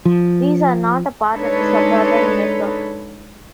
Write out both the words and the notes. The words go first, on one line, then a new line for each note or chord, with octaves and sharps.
These are not a part of the suburban network.
F3
G#3 D4 D#4 A4 B4 C#5